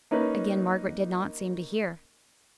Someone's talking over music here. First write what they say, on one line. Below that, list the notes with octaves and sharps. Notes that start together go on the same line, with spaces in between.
Again Margaret did not seem to hear.
A#3 C#4 D#4 B4